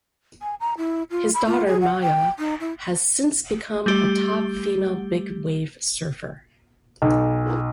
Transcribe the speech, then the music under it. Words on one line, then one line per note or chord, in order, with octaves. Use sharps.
His daughter Maya has since become a top female big wave surfer.
G#5
A#5
E4
F4
B5
F4
G#4
F#5
G5
D#4
E4
G3 A3 G4
B1